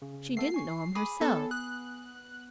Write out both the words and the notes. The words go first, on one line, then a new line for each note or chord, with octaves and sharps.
She didn't know 'em herself.
C#3
A3 B3 A4 C7
G#5 C#6
G#4 B5 D6 D#6
B3 A4 C#5
D#6 F#6